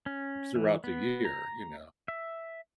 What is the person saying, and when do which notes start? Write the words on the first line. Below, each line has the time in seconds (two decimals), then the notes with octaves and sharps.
throughout the year, you know?
0.06 C#4
0.56 E3
0.84 B3
1.25 A#5
2.08 E5